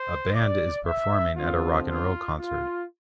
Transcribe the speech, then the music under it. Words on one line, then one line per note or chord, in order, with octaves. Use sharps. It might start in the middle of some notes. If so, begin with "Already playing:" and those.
A band is performing at a rock and roll concert.
Already playing: C5
D5
E5
D3 F3 C4 F4
F4
F4